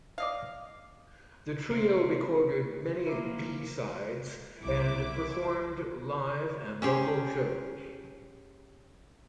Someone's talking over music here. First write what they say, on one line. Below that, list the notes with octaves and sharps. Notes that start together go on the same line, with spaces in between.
The trio recorded many b-sides and performed live and local shows.
D5 D#5 F5
C3
F3 F#3 A#3 E4 A#4 A#5 D6
C2 E4 D6
C#4 G4 G#4